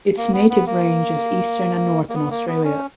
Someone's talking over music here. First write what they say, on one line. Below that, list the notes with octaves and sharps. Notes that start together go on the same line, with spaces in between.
Its native range is Eastern and Northern Australia.
A#3
B3
B3
A#3
A#3
B3
A#3
B3
C#4